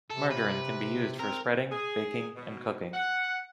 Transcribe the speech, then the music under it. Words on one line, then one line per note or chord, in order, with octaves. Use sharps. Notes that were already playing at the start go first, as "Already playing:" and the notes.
Margarine can be used for spreading, baking, and cooking.
C3 A4
B4
C4 A#4
G#4
B2
F#5